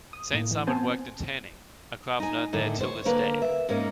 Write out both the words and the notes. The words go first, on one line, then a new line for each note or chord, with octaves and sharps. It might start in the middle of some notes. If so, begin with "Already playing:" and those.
Saint Simon worked in tanning, a craft known there till this day.
D#6
A2 A#3
E3
B3 C4 C5 G#5 A5
D#4 G#5
A2 D3 D#3
C5 C#5
D3 A#3 A#4 B4
E5
G#2 A#3 C#4 D#4